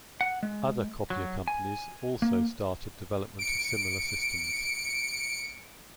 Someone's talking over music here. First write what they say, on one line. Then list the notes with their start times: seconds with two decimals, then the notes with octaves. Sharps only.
Other copier companies also started development of similar systems.
0.21 F#5
0.43 G#3
1.10 F#3
1.48 G#5
2.22 A#3
3.39 C#7 D7